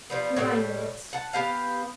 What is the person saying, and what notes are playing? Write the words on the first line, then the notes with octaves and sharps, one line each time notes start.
Nine minutes.
F3 G3 B3
A2 D#3 G3
F#5 A5
B3 G4 F5